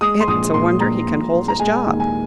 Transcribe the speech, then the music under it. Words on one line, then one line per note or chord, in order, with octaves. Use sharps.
"It's a wonder he can hold his job."
G#3 D#6
C6
A#1 D#6
A#2 C6
A#1 A#5
A#2
A#2
A#5
G#3 G#5
D#2
G#5